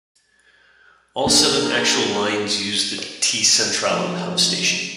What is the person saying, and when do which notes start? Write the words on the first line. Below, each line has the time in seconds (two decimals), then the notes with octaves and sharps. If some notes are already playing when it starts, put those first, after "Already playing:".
All seven actual lines use The "T-Centralen" hub station.
1.26 A#3 D4 G#4 A#4
3.90 C#3 F3 F#3 A3 D#4